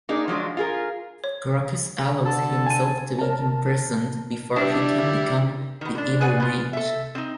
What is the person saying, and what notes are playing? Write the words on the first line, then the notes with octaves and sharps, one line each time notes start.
Crocus allows himself to be imprisoned before he can become the Evil Mage.
A#3 D4 D#4 G#4
F3 F#3 G#3 D4
F4 G#4 A#4
C#5
D3 A4 A5
G#5 D#7
A#4 A5
G3 D4 E4 E5
D#3 B3
D3 D4
G#4 B4 D5 F#5 G#5
B3 F4
A4 E5
C4 D#4